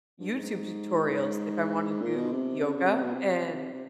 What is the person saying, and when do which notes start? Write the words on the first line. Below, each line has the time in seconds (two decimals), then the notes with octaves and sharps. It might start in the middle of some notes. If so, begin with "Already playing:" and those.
YouTube tutorials if I wanna do yoga, and,
0.20 G2
0.35 G#2
1.11 G#2
2.01 A#2
2.16 B2
2.32 C3
2.62 C#3
2.77 C#3
2.89 C3
3.01 B2
3.14 C3
3.53 C3
3.73 C3